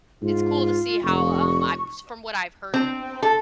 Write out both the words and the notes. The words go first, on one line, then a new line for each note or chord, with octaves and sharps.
It's cool to see how, um, I from what I've heard,
G#2 F4
F1 C#6
C4
A4